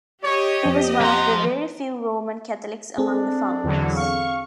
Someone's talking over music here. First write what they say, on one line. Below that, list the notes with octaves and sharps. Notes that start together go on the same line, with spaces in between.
He was one of the very few Roman Catholics among the Founders.
G4 C#5 D#5
F2 C4
F3 F#5 A#5 C6
C4 D4 G#4 A4
E2 D3 F#3
F5 C#6